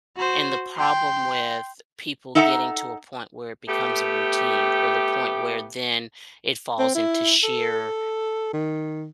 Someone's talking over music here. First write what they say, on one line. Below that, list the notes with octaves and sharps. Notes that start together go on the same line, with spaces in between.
and the problem with people getting to a point where it becomes a routine, or the point where then it falls into sheer,
F#4 C5
G5 C6
D#4 A4 E5 F#5 G#5 A#5
A3 B3 G4
C4
E4
A4
D#3